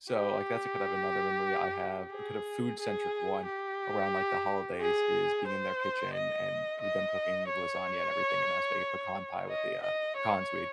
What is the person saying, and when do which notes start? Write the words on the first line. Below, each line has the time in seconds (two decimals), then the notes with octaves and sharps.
So, like, that's a kind of another memory I have, a kind of food-centric one around, like, the holidays is being in their kitchen and with them cooking lasagna and everything, and us making pecan pie with the, uh, pecans we'd,
0.11 G4
2.12 G#4
2.79 G#4
3.46 G4
4.80 G#4
5.47 C5
6.14 D#5
6.81 D#5
7.48 C#5
9.49 D#5
9.82 D#5
10.16 C#5